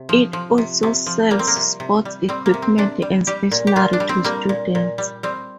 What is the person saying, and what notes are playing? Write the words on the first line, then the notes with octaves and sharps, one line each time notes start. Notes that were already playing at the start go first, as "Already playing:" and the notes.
It also sells sports equipment and stationery to students.
Already playing: C3
F3
F3
C3
C3
F3
G3 A#3
C4
A#3
C3
C3
G3
G3 C4
A#3
C3
C4
C3 D4
G3
G3 G4
A#2
G4
A#2 F4
D4
G3
C4
G3 A#3
A#2
A#2
G3
G3 C4